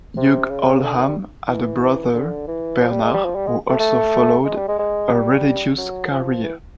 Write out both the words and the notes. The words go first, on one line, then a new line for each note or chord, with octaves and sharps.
Hugh Oldham had a brother, Bernard, who also followed a religious career.
C3
C#3
D3
D#3
G3
E3
D3
E3
F3
G3
G#3
G3
F3
G3
G#3
A3
A3
G#3
G3
G#3
G#3
G3
F#3
F3
E3